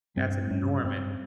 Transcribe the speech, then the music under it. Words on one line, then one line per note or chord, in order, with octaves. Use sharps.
Yeah, that's in Norman.
G2 C4
G2 C#4
G2 C4